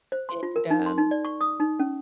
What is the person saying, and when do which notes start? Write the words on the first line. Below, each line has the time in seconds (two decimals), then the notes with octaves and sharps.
and, um
0.12 C5
0.29 C6
0.43 F4
0.56 A#4
0.70 D#4
0.86 C6
0.98 D#4
1.11 D5
1.25 C#6
1.41 D#6
1.60 D#4
1.80 C#4